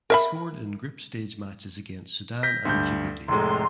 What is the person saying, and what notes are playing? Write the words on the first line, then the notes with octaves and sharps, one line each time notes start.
He scored in Group Stage matches against Sudan and Djibouti.
A#4 E5 B5
G6 A#6 B6
D2 G2 G6
F1 A2 G#3 A#5 C6